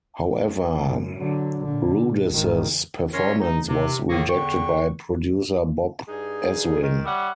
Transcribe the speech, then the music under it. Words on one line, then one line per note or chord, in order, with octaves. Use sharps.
However, Rudess's performance was rejected by producer Bob Ezrin.
F#2
D3 F#3
A#2 D3
A#2
G#1 D#3
G3 C#4 A#4 C#5 E5 C6
D#4
C3
A2 D#3 A#3 G#4 A4 C#6
E2 D3 G5 C#6
G2 D#4 G#4
D#3
G3 C#5 E5 F#5